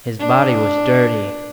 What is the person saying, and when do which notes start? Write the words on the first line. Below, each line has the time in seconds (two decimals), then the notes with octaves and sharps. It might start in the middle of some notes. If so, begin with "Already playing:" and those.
His body was dirty.
0.19 D4